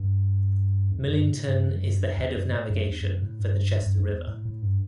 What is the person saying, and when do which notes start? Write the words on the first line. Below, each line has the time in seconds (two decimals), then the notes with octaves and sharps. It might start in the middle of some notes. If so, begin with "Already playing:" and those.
Millington is the head of navigation for the Chester River.
Already playing: G2
0.91 E2
1.04 F#2
1.16 G2
1.29 A2
1.47 G2
1.64 F#2
1.82 G2
1.99 F#2
2.17 E2
2.35 F#2
2.52 A2
2.70 F#2
2.87 E2
3.00 G2
3.05 F#2
3.22 A2
3.39 G2
3.83 G2
3.97 F#2
4.10 E2
4.27 A2
4.45 A2
4.62 G2